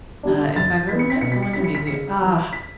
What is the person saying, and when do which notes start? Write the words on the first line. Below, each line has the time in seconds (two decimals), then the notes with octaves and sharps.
Uh, if I've ever met someone amazing ah,
0.23 G3 D4
0.56 F#2 A6
0.89 E3 B3 B6
0.99 C#7
1.10 B6
1.21 B2 C#7
1.32 B6
1.42 C#7
1.53 G3 C#4 E4 B6
1.64 C#7
1.75 B6
1.87 C#3 C#7
2.21 E3 G3
2.53 B6